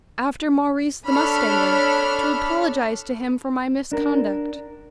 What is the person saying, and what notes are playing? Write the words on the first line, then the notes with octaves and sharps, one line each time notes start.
"After Maurice the mustanger--to apologise to him for my misconduct."
D4 A4 C#5 B5 F6
D4 A#4